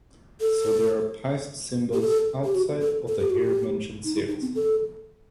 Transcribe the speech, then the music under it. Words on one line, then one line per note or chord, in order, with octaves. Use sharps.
So there are Paiste cymbals 'outside' of the here mentioned series.
A4
G4
A4
G4
F#4
A4
A4
G4
F#4
G4
D#4
E4
D#4
C4
A4